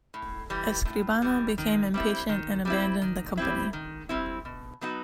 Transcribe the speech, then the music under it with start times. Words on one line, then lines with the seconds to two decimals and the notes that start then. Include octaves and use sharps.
Escribano became impatient and abandoned the company.
0.14 A2
0.50 E3 G3
0.85 A2
1.22 E3 G3
1.58 D#3
1.94 G3 C4 E4
2.29 D#3
2.65 G3 C4 E4
3.02 D#3
3.37 G3 C4 E4
3.73 D#3
4.09 G3 C4 E4
4.45 B2
4.81 F#3 B3 D#4 F#4